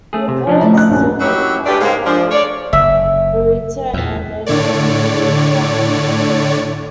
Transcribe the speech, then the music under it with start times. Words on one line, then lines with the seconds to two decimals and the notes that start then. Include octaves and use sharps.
He opposed Zulfikar Ali Bhutto and later joined Zia's government.
0.13 A3 G#4
0.28 C3
0.47 F3 C#4 D4
0.61 D3 A3 D5 A#5
0.74 D#5 F#6
0.90 A#1 F#2
1.20 F#3 D#4 E4 G4 C#5
1.66 G2 A3 D4 G4 B4 D5
1.81 G#2 C#3 G#3 A#3
2.06 F3 D4
2.31 C#5 D5
2.73 F#1 E5
3.94 E2 A#2
4.46 A2 D3 C#5 D5